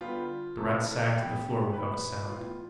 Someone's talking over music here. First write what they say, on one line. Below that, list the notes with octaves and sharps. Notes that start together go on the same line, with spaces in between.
The Rat sagged to the floor without a sound.
D3 G3 B3 F4
C3 E3 A3 C4 A4
B2 B3 G4
A2 G3 B3 B4
A2 E3 G3 B3 F4